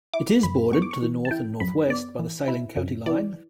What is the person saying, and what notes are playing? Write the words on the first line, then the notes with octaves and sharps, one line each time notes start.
It is bordered to the north and northwest by the Saline County line.
E4 D6
F#2 B5
B3 C#6
D6
C#6
E3
A5
E4 G5
F#2 B5
B3 D5
E3
E4
F#2
E3 D5